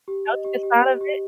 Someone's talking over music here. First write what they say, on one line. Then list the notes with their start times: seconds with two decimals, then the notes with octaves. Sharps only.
melted inside of it.
0.08 G4
0.27 D#5
0.45 G4
0.63 G4
0.82 G4
1.01 G4